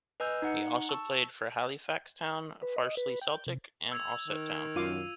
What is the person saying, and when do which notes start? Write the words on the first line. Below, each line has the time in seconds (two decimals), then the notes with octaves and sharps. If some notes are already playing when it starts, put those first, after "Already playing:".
He also played for Halifax Town, Farsley Celtic and Ossett Town.
0.20 B4 D#5 G#5 E6 G6
0.42 D#4 F#5 C#7
0.89 A5 C#6 E6
2.62 B4
2.77 D#5
2.97 B4
3.22 G5
3.47 C3
3.92 E6 G#6 F7
4.28 D#3
4.76 F#2 F4 F5 D6 D#7